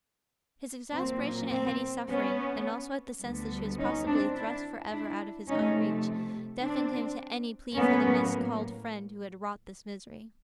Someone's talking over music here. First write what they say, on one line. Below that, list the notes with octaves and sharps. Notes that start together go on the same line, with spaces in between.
His exasperation at Hetty's suffering--and also at the sense that she was possibly thrust for ever out of his own reach--deafened him to any plea for the miscalled friend who had wrought this misery.
A#2 F#3 A#3 C4
C4
B3 C#4
D2 D3 G3 B3
C#4 D#4
C4 D4
D4 E4
D4 E4
C3 F3 A3 C#4 D#4
C4 D4
A2 F#3 A#3 B3 C#4